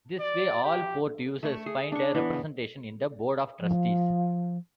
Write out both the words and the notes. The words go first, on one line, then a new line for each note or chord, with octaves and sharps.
This way all port users find a representation in the Board of Trustees.
D5
G4
A3 C#6
G#4
D4 C#6
E3 B3
F3